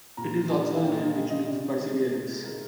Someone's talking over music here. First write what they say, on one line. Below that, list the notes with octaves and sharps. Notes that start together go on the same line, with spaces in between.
It is also a name which means perseverance.
A#2 A#5
G3 G#5
F5
A#2 G5
D#5
G3 D#5
D#5
C3 D5
D#3 G#3 C5
C3 G#4
D#3 G#3 A#4